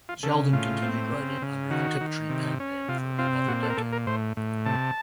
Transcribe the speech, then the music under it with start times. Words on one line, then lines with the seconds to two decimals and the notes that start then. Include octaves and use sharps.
Sheldon continued writing under the Tiptree pen name for another decade.
0.09 F4
0.23 C#3 A4
0.53 A2 F4
0.82 C4
1.12 C#3
1.42 C#3
1.70 D#3 F#4
2.01 D#3
2.30 C3
2.60 C#4
2.88 C3 F4
3.18 C4 F4
3.48 A#2 F#4
3.63 A4
3.70 A#4
3.77 A#2 A4
3.93 A#4
4.07 A2 C5
4.37 A2
4.66 C3 A5